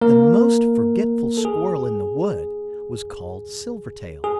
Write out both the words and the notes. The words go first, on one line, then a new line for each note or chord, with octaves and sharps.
The most forgetful squirrel in the wood was called Silvertail.
A#3 A#4
A4
G#4
G#4